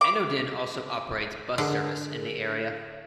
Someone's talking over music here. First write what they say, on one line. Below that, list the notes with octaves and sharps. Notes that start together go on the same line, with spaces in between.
Enoden also operates bus service in the area.
D6
D3 D4 G#4 A#4